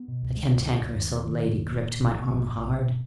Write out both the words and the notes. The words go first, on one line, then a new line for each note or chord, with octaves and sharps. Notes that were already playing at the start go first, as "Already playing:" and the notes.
The Cantankerous Old Lady gripped my arm hard.
Already playing: B3
B2
C#2
G#3
C#2
B2
C#2
D#2
A#3
D#3
F1
D#2
A#3
A#2
A#1
F3
A#1
A#2
A#1
B2